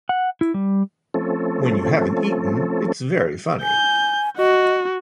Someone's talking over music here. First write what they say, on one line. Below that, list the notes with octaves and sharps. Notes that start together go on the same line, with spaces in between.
When you haven't eaten, it's very funny.
F#5
E4
G3
F3 A3 C4 C#4 A4
G#5 G6
F#4 D#5